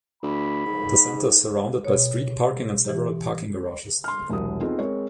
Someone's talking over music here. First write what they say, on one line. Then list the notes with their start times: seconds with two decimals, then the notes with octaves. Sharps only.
The center is surrounded by street parking and several parking garages.
0.23 D2 B5
0.66 G#2
1.85 B2 C#5
2.85 E3 G4
4.04 C6 F6
4.29 E1 C2 F#3 D#6
4.60 B3 C4 D#4 F4 G#4 A4
4.79 G#3 C4 A#4 C#5